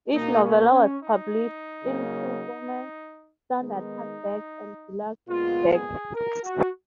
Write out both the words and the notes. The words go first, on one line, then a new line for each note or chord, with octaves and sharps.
Each novella was published in two formats: standard hardback and deluxe hardback.
B2 A#3 D#4
C#4
C#4
D#4
C#3 F#3 A#3
D#3 G#3 B3 D#4
A#2 G#3 B3 F4
G#4
A#4
F#4